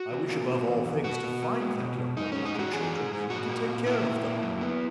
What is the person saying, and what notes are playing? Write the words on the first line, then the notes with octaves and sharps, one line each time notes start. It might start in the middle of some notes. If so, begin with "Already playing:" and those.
I wish above all things to find that young woman and her children, and to take care of them.
Already playing: F#4
E2
A#3
B2
E2
E2
B2 F#4
B2
B3
G#3
B2
B2
G#2 D#4
G#2 C#4
D#4
G#3 F#4
E3 G#4
G#2
G#2
A#2 F#4
A#3
A#2
A#3 E4
A#2
A#3
F#2
B3